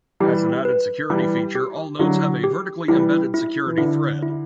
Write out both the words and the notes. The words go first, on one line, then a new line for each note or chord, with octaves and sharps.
As an added security feature, all notes have a vertically embedded security thread.
E3 G3 G4
B4
E3 G3 E4
G4
D3 F#3 E4
G4
E3 G3 E4
E4
E3
D3 E4
E4